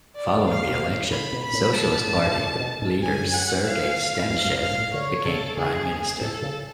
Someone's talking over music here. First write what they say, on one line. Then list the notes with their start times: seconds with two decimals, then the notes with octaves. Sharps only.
Following the election, Socialist Party leader Sergei Stanishev became Prime Minister.
0.16 D5
0.36 G#2
0.48 A2 F5
0.69 B2
0.91 A2
1.11 A2 B5
1.33 B2
1.43 B5
1.53 A2
1.75 A5
2.07 G#2
2.17 F#2
2.26 G#2
2.38 A2
2.55 C#3
2.60 B2
2.82 G#2
3.02 F#2 G#5
3.34 F#5
3.67 F5
4.30 F2 F5
4.45 F#2
4.62 F#2 F5
4.71 G#2
4.78 A2
4.94 D3 C#5
5.25 C#3 A4
5.57 C#3 G#4
6.21 A2 A4
6.42 C#3